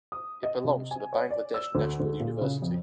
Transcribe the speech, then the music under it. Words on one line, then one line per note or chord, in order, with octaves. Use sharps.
It belongs to Bangladesh National University.
D#6
D#5
C3
G#5
C#5
D5
E6
D2
D2
A#2
C#3
F2